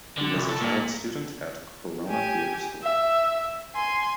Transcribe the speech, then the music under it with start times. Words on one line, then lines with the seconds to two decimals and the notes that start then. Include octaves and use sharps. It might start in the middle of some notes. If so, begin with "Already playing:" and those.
He was a child student at Corona Theatre School.
0.17 D3
0.34 C2
0.49 A4
0.61 A#2
2.08 G4 G#5
2.82 E5
3.75 G#5 C6